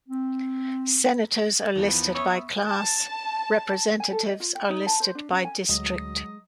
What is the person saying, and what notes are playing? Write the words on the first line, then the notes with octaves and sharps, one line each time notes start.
Senators are listed by class; Representatives are listed by district.
C4
E2 D#3 F3 B3
C#5 E5 C#6 D#6 E6
A5
G#5
A4
D#5
F4
G5
D#4
A5
C5
D4
C#4
G#5
D2 F#3 G#3 D#5